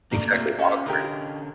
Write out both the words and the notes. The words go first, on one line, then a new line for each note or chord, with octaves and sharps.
exactly, awkward.
A3 A#3 D4 A#5
C3 F4 E5
C#4 A4
D3 C#4 G4 A#4 D#5